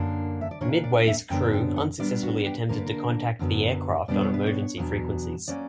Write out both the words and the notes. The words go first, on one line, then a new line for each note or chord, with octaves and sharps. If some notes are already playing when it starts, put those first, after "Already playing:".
"Midway"s crew unsuccessfully attempted to contact the aircraft on emergency frequencies.
Already playing: F#2 D3 A#3 D4
E5
D5
A#2 A#3 D4 C#5
D5
E5
F#2 D3 F#3 B3 D4 G5
G5
F#5
A#2 G3 B3 D4 D5
F#4
G4
D3 A#3 D4 A#4
B4
A#4
F#2 D3 F#3 B3
B2 G3 B3 D4 D5
C#5
B4
C#5
E2 B2 F#3 B3 D4
F#3 A#3 C#4 D5